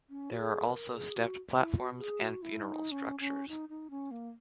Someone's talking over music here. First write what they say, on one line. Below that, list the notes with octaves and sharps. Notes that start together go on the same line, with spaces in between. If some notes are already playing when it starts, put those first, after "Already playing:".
There are also stepped platforms and funeral structures.
C#4
F#4
G#4
A#4
G#4
F#4
E4
F#4
G#4
F#4
E4
D#4
C#4
C#4
D#4
D#4
C#4
A#3